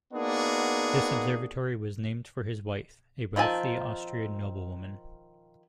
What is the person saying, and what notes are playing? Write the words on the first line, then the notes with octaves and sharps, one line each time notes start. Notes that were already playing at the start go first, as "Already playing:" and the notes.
This observatory was named for his wife, a wealthy Austrian noblewoman.
A#3 B3 D4 D#4 F#4 G#4
D#3 F3 C4 G#5 A5